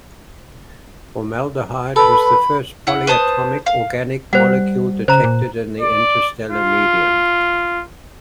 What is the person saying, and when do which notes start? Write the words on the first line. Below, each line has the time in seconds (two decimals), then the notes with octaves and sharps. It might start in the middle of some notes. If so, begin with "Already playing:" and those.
Formaldehyde was the first polyatomic organic molecule detected in the interstellar medium.
1.96 A4 B4 B5
2.87 E4 F#5
3.07 B4 C5 A5 D#6
3.66 F5
4.33 G3 C5 F#5
5.08 C#3 C5 A#5
5.24 A#2
5.80 D5
6.50 F4